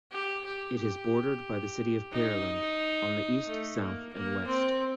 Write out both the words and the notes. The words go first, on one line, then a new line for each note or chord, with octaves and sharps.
It is bordered by the city of Pearland on the east, south, and west.
G4
G4
G4
D#4
A3
A#3
A#3
C4